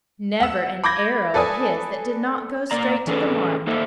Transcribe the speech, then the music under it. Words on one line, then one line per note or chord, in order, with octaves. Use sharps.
Never an arrow of his that did not go straight to the mark.
F#5 E6
B5 D6 G6 G#6 A#6
A4 B4 D5 G#5 D#6
A#3 D5 A#5
E3 C#4 G#4 A4 B4
A#3 D#4 A4 C5 E5